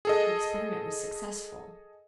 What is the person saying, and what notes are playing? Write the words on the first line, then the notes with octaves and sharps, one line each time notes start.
The experiment was successful.
G#4 A4 D#5